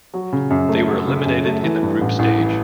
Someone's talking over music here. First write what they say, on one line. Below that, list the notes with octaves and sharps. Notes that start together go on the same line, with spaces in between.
They were eliminated in the group stage.
F#3
C#3
F#2
A3
F#3
C#3
F#2
A3
E3
G2
A1
A1
E3